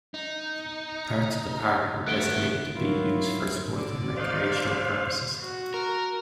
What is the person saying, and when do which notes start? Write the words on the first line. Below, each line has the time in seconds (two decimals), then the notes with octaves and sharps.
Parts of the Parks were designated to be used for sports and recreational purposes.
0.14 D#4
2.06 A3 B3 F#6 D7 G7
2.75 F#3 E4 F4 A#4 F5
3.76 D3 D5
4.17 F#3 A#3 D#4 C5 F5
4.63 D4 G#4 B4
5.42 F#4
5.74 A#4